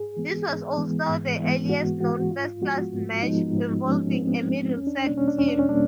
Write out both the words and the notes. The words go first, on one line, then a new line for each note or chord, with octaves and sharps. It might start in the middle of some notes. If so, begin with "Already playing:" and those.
This was also the earliest known first-class match involving a Middlesex team.
Already playing: G#2 G#4
E3 G#3 B3
G#2
E3 G#3 B3
G#2
E3 G#3 B3
G#2 F#4
E3 G#3 B3 F#4
F#4
G#2 F4
F3 G#3 B3 F#4
G#2
F3 G#3 B3 D#4
G#2
F3 G#3 B3 C#4
G#2 C4
B3
C4
F3 G#3 B3
E2 C#4
D4
C#4
B2 G3 A#3 D4
C#4
D4
E2 C#4
D4
C#4
B2 G3 A#3 D4